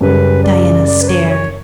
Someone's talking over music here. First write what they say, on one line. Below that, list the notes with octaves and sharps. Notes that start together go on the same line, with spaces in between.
Diana stared.
F#2 C#3 G3 C#4 B4
D5
D5
B4
C#5
C#5